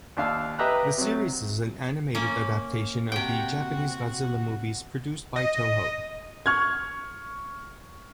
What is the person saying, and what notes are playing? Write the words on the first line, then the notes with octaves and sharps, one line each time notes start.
The series is an animated adaptation of the Japanese "Godzilla" movies produced by Toho.
D#2 D4 F5 E6
G4 B4 D#5 E5 A#5 F#6
C3 F#3
A#3 C#4
C3 F#4 G5
D#5
C#6 F6 G#6